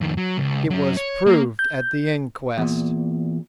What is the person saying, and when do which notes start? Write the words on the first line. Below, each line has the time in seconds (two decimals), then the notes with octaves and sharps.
"It was proved at the inquest."
0.01 F2 D#3
0.17 F#3
0.38 C#2
0.70 F#3 C#4
0.97 C#5
1.27 A#3
1.59 G6
2.58 E2 A#2